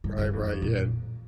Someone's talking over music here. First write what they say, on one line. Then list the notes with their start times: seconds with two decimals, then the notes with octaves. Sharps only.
Right, right, yeah,
0.04 G2
0.18 G2
0.33 F2
0.62 A#2